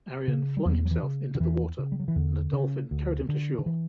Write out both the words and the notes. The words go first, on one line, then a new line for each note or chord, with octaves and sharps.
Arion flung himself into the water, and a dolphin carried him to shore.
C#3
G3
E2 F#3
F#3
E3
C#3
D3
E2 E3
C#3
G3
F#3
E3
E2 D3
C#3
D2
D3
D3
E3